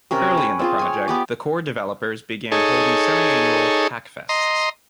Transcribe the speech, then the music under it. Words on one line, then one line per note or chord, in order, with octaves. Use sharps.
Early in the project, the core developers began holding semi-annual "Hackfests".
C3 C#4 A#4
B4
C4 F4 G#4
C#5 G#5
B3 G4 D5
D#4 G#4 A4 C#5
D#5 A#5 C6